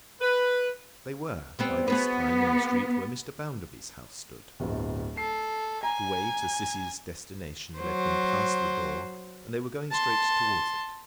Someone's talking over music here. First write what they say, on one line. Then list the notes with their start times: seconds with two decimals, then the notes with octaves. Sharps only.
They were by this time in the street where Mr. Bounderby’s house stood. The way to Sissy’s destination led them past the door, and they were going straight towards it.
0.21 B4
1.59 G3 B3 C4
1.88 B3 F#4 G#4 B4
4.60 D1 G1
5.17 A4 C7
5.83 G#5 A#5
7.79 F#3 C5
9.91 A5 C6